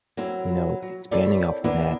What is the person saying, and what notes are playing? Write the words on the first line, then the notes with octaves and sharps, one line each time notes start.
you know, expanding off of that,
F#3 A#3 C4 E4
F#3
C4 E4 A4 A#4 C#5 D5
A#3 B3 D4 E4